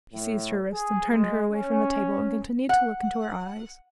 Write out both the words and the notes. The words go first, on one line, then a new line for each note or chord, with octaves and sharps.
He seized her wrists and turned her away from the table and continued to look into her eyes.
A2
G#4
G#3
C#4
F#5